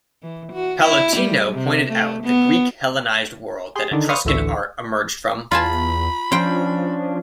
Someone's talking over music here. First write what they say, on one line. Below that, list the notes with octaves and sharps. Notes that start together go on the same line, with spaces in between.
Pallottino pointed out the Greek Hellenized world that Etruscan art emerged from.
E3
F#4
E4
G3
C3
A3
B3
G4 G#4 C6
D3 D#3 D4 D#4
B4 C5 F5 C#6 D#6 F6
A1 D2 D3 E3 E5 C#6
E2 F4 G#5 A5 B5
F3 C#4 D4 C5 G5